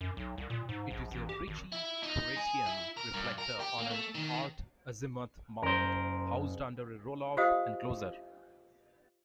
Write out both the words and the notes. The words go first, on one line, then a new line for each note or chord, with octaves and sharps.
It is a Ritchey-Chretien reflector on an alt-azimuth mount housed under a roll-off enclosure.
F#2
B1
C2
A#2
G#2
A#1
A1
G4
G#1
E4
D#4
G#4
E4
A#4
G2
A#4
G4
A#3
A3
D#3
F#1 A#4 C5
F4 G4 C5 D#5 F5 D#6